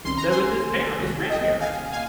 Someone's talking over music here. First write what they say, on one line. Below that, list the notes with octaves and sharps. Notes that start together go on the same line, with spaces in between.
That was his parent his grandparents.
C2 C3 D#3 G3 C#4 C6
A#5
G#5 C6
C2 C3 D#3 G3 C#4
D#5 G5
F5 G#5
A#2 F5 G#5